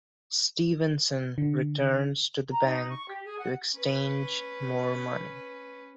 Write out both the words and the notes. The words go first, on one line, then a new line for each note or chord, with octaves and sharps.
Stevenson returns to the bank to exchange more money.
D3
A#5
D#4
C#6
G4
G#4
F#5
C#4 B4